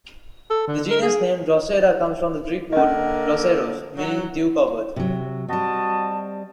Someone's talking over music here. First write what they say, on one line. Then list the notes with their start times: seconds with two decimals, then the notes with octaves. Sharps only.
The genus name "Drosera" comes from the Greek word "droseros", meaning "dew-covered".
0.50 A4
0.68 D3
0.90 A#4
1.02 G#4
2.73 D3 A#3 C#4 A#4 D#5
3.98 F#3
4.96 C3 F#3
5.48 G3 C4 F#4 D#5 A5